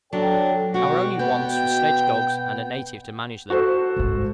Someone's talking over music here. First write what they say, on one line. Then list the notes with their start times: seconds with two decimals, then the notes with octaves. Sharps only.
Our only wants were sledge-dogs and a native to manage them.
0.13 F#3 D4 A4 C#5 G5
0.74 B2 F#4 G4 D5
1.19 B3 G5
3.50 F#4 A4 C5
3.96 G#1 G#2